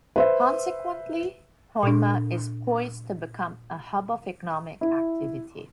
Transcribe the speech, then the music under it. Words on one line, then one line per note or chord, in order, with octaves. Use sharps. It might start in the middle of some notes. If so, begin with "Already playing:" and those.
Consequently, Hoima is poised to become a hub of economic activity.
B4 C5 E5
A#2 D4
E4